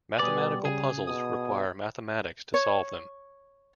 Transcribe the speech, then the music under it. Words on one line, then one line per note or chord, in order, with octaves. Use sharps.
Mathematical puzzles require mathematics to solve them.
B2 G3 B4 D5 G#5 D#6
C#3 G#4
B2 D#6
C#5